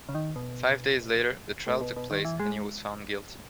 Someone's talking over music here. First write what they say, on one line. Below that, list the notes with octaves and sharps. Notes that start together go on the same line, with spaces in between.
Five days later, the trial took place and he was found guilty.
C#3
D#3
B2
A2
B2
B2
D#3
E3
G#3